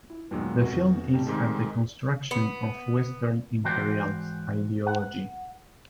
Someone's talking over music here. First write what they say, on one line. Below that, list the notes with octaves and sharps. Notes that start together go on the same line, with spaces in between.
The film is a deconstruction of Western imperialist ideology.
E4
D#2 A#2 F#3 G#3 B3
F1 F#4
C3 G3 A3
G#2 D#3 G#3
B3
G#2 E3 F#4 C5 D5 G5
F#5